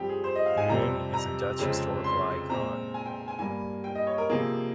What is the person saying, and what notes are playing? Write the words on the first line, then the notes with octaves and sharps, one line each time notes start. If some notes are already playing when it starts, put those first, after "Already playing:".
Groen is a Dutch historical icon.
Already playing: G2 F3 C4 G4
G#4
C5
D#5
F5
G#5
F2 C3 G3 C4 A#5
A#5
F2 C#3 G#3 C4
C6
A#2 G#3 C4 A#5
G#5
G5
G#5
G2 G3 A#3 G#5
G5
D#5
C#5
A#4
C3 F3 A#3 G#4